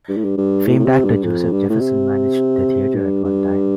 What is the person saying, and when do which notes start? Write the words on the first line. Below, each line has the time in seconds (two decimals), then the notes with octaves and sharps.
Famed actor Joseph Jefferson managed the theatre at one time.
0.09 G2
0.17 A2
0.24 G2
0.38 G2
0.66 A2
0.79 A2
0.85 C3
1.04 G2
1.23 F2
1.52 G2
1.69 A2
1.80 C3
2.95 G2
3.24 G2